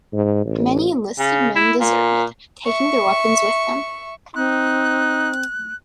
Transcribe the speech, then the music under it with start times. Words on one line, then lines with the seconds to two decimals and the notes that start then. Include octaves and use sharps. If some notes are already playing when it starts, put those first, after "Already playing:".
Many enlisted men deserted, taking their weapons with them.
0.13 G#2
0.45 A1
1.19 C#3
1.56 E4
1.80 A#2
2.65 E5 C#6
4.36 C4 D#4 F#6